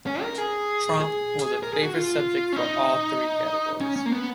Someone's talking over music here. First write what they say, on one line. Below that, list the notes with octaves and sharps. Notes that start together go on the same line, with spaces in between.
Tromp was a favourite subject for all three categories.
C#4
A#4
G#4
G#4
A#4
G#4
F#4
F4
C#4
D#4
C#4
C#4
A#3
B3